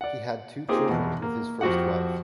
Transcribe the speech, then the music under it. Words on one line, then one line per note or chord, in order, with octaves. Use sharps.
He had two children with his first wife.
D5 F#5
A#3 C4 D#4 F4 G4 G#4
E2 B2
A#3
F2 F3 F#4 G4 F#5